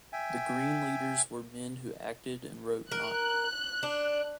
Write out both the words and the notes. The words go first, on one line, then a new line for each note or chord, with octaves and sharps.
"The Green leaders were men who acted and wrote not".
E5 G5 G#5
A#4 F#6
D4